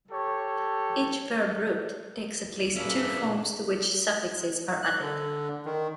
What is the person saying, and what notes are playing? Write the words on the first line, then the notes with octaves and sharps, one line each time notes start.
Each verb root takes at least two forms to which suffixes are added.
G4 A4 C#5
A#2 A#3 C#4 D4 G#4 B4 E5
F#6
D3
D#3